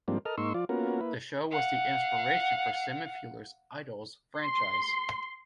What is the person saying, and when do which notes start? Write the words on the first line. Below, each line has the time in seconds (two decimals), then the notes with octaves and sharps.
The show was the inspiration for Simon Fuller's "Idols" franchise.
0.08 G#2 F3 G3 A#3 C4 D4
0.25 A4 A#4 D#5 F6
0.38 G#2 A#3 D#4 C6 C#6 E6
0.54 F3 F4 D5
0.69 A#3 B3 C#4 F4 F#4 A#4
1.01 A#3 E4 B4
1.51 F5 F#5
4.38 C6